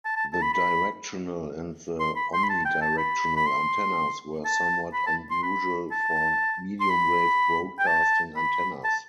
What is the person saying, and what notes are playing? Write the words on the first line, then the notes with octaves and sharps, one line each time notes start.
The directional and the omnidirectional antennas were somewhat unusual for mediumwave broadcasting antennas.
A5
A5
A5
B5
B5
C6
B5
C6
B5
A5
G5
A5
B5
B5
C6
A5
B5
A5
C6
B5
A5
C6
B5
G5
A5
B5
A5